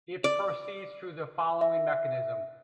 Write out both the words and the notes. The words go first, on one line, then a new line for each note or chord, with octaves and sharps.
It proceeds through the following mechanism.
D5
E5